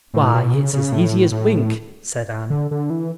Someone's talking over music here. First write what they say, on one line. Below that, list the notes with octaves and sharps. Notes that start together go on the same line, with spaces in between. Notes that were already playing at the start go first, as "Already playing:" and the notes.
"Why, it's as easy as wink," said Anne.
A2
B2
C#3
C#3
A2
A2
D3
D3
E3